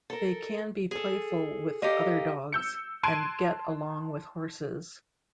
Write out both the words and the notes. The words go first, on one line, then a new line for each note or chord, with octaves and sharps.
They can be playful with other dogs, and get along with horses.
A4 A#4
G#4 A4
G4 A4 A#4 D#5 F5
E6 G6 C#7
A5 C6 F#6 G#6 D7 D#7